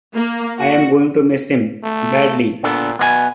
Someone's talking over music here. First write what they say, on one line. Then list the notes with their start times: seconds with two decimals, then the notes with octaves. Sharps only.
I'm going to miss him...badly.
0.15 A#3
0.58 F#4
1.83 A3
2.63 A#2 B3 D4 A4
2.99 B2 B3 E4 G#5